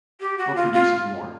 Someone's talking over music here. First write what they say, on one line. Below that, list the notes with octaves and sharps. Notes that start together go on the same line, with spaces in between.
what produces more?
G4
F#4
F4
F4